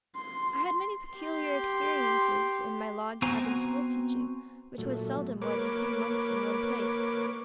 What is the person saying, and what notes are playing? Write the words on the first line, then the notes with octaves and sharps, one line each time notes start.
I had many peculiar experiences in my log-cabin school-teaching, which was seldom more than three months in one place.
C6
G4 C6
B3 C4 F#4 C5 G#5 A#5
A#2 F#3 A3
A#3 A#4 B4 C#5 D6